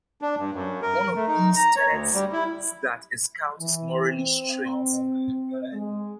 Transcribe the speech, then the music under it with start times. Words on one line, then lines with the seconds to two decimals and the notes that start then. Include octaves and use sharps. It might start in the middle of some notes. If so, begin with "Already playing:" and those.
One of these tenets is that a Scout is "morally straight".
0.22 D4
0.39 G2
0.54 F#2
0.82 A#4
1.15 A3
1.28 D#4
1.56 A#5
1.76 C#5
1.89 D2
2.14 G3
2.32 E4
3.58 E3
4.03 C4
5.72 G#3